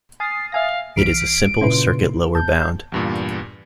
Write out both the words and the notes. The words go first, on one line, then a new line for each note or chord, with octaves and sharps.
It is a simple circuit lower bound.
G#5 D#6 F6 A6 C7
E5 F5 G#5 A#6
B1 E3 F6 B6 C7 D7
A#2 C#3 C#4 E4 B4 C6
E2 A5 G6
E2 G2 A#2